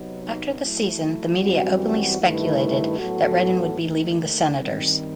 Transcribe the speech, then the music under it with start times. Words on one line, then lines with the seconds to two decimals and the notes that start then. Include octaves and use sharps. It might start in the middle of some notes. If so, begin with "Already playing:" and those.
After the season, the media openly speculated that Redden would be leaving the Senators.
Already playing: C3 F#3 B3 D#4
0.60 F#3 A3 E4
1.39 F#2 E3 G3 C4 F#4
2.19 G2 D#3 A3 E4 B4
2.98 A2 F#3 B3 F#4 A4
3.78 D#2 D#3 A3
4.57 G2 D#3 G3 C4